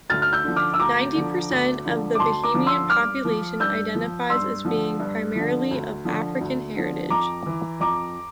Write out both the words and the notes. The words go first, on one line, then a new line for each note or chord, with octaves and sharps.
Ninety percent of the Bahamian population identifies as being primarily of African heritage.
D2 F6 A6
F6
E6 G6
D3 F3
D6 F6
E6
D2 A#5 D6
D3 F3
D2
D3 F3
D6
D2 A5 C6
A#5 D6
D3 F3
C6 E6
G2 D6 F6
F3
G2 E6 G6
F3
G2 C6 E6
D3 F3
G2
D3 F3
D2
D3 F3
D2
D3 F3
F2 A#5 D6
E3
F2 A#5 D6